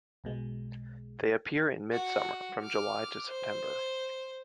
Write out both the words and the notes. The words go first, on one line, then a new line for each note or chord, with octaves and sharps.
They appear in mid-summer, from July to September.
B1 B2 G#3
F#4
D6 F6
C5